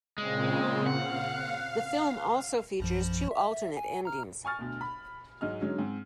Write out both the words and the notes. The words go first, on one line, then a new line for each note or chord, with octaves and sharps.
The film also features two alternate endings.
A#2 C#3 G#3 C4
F5 F#5
A#1 F#2 F3
E5
G#5
A#5 F6
G#5 C#6 F6 A6
D2 B2
B5
G#2 F#3 G#3 D#5 F6
D3 F#3 G#3 C#4 D#4
G#2 C4